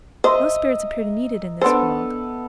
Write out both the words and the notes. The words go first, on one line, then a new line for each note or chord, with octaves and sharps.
Most spirits appear to need it in this world.
C5 D#5 E5 A#5
B3 D4 A4 C5